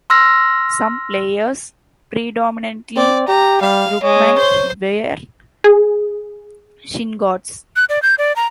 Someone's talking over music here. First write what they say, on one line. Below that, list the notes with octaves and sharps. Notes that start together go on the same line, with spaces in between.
Some players, predominantly ruckmen, wear shin guards.
C6 E6 F6 A#6
C4 D5
G4 A#5
G3 F5
G#3 C#5
C5 C6
G#4
F#6
D5
G6
D5
A#5